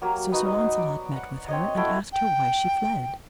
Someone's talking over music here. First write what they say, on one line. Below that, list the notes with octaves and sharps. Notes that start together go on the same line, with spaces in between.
So Sir Launcelot met with her and asked her why she fled.
F#3 A#3 G4
B3 D#4 F#4 D#6
D5
F#5
C4 C#5 D#5
A3 E4 F#4 G5
G5